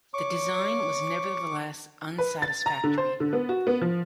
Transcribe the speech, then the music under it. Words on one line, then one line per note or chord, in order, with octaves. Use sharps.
The design was nevertheless unsatisfactory.
C#5 C#6 D6
B4
A6
A#5
D3
C5
D3
B3
F#4
B3
F3